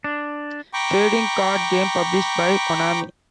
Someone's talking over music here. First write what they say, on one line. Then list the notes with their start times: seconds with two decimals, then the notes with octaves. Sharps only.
Trading Card Game published by Konami.
0.04 D4
0.74 G5 A#5 B5 C#6 D6